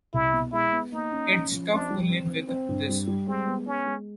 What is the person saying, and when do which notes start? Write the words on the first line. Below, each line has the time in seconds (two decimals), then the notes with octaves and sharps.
It's tough to live with this.
0.14 C2 E4
0.33 B2
0.53 G#3 E4
0.73 B3
0.92 A#3 D#4
1.12 C#4
1.32 C#4
1.52 F3
1.71 C4 D4
1.90 G3
2.10 C4
2.30 C4
2.49 C4
2.69 G2
2.89 G3
3.07 G3
3.28 G#3 C4
3.47 B3
3.67 G#3 C#4
3.86 G#3